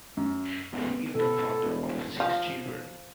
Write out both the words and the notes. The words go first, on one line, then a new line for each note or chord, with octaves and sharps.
He is the father of six children.
F#2
B3
B2 B3 E4 A4
E1
F3